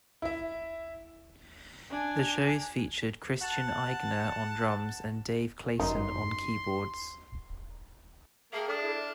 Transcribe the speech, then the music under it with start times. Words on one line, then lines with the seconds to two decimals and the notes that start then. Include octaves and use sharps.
The shows featured Christian Eigner on drums and Dave Clayton on keyboards.
0.22 E4 E5
1.90 D4 G#5
3.42 F#5 A5
5.80 G1 F#2 D#3 D#4 C6
8.53 A#3 G4 G#4 E5 F5 A5 F6
8.68 D4 A4 D6
8.81 E4
8.98 E5 F6